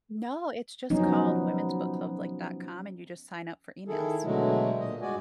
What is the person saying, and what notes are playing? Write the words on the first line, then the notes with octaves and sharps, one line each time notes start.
no, it's just called women's book club, like, .com and you just sign up for emails,
F3 F#3 B3 C#4 D#4
D#3 E4 G#4 A4
B2 D3 F#3 G#3 A3
A#2 D#5
G2 G#3 F#4 D5 G#5